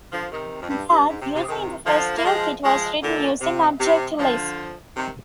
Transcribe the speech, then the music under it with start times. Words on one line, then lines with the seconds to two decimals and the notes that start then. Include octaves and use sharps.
There, the user interface toolkit was written using Object Lisp.
0.13 D3 F3
0.31 C3 D#3
0.62 F2
0.70 G2
0.90 G2
1.09 G#2
1.22 C3
1.35 C3
1.48 C3 D#3
1.86 D3 F3
2.18 A#3
2.25 F3 G#3
2.63 F3 G#3
3.02 A#2 D3
3.41 C3
3.79 C3
4.19 D3 F3
4.96 C3 D#3